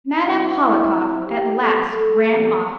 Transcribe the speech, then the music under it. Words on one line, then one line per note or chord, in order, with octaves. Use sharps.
Madame Hohlakov at last ran off.
C3 G3 C4 E4
C3 F3 C4
G4
A#2 F3 A3 C4 A4
E2 E3 G3 A#3